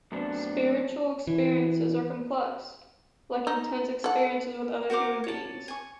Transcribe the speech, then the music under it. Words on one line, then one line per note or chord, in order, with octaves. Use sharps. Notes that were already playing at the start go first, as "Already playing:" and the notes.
Spiritual experiences are complex, like intense experiences with other human beings.
F#2 F#3 A3 B3 C4 D4
E3
D#4
A4 F#5
F#4 A#4 C5 D6
C#5 A5
G#5 C#6